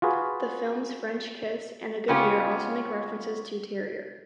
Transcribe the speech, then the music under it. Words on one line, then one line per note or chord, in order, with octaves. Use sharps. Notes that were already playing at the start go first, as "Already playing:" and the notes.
The films "French Kiss" and "A Good Year" also make references to "terroir".
F4 F#4 G#4 B4
C#3 B3 C#4 F4 G4